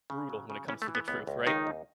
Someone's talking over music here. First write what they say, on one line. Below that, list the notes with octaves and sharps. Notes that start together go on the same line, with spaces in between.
brutal when it comes to the truth, right?
C#3
F#3
C#3
C#3 E3 C#4
A3
E3
B3
C#2 B3
C#2
D#2 D#3 D#4
D#2